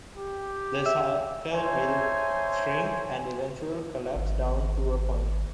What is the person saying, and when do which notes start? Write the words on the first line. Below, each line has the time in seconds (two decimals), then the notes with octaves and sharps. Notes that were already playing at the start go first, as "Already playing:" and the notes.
The circle will shrink and eventually collapse down to a point.
0.17 G4
0.86 E5
1.52 D#4 A4 C5 C#5 E5 G#5
4.16 G#1